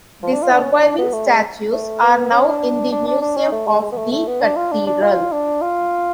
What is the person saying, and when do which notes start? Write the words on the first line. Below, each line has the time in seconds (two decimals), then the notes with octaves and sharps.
The surviving statues are now in the Museum of the Cathedral.
0.23 F3
0.33 D4
0.43 F4
0.52 D4
0.63 C#4
0.72 D4
0.83 D4
0.98 B3
1.13 A3
1.27 G#3
1.73 A3
2.02 B3
2.32 C#4
2.47 D4
2.92 D4
3.07 D4
3.22 D4
3.37 C#4
3.52 A3
3.67 G#3
3.82 G#3
3.92 B3
3.97 A3
4.12 A3
4.27 B3
4.41 D4
4.56 F4
4.72 D4
4.87 D4
5.02 F4
5.32 D4
5.62 F4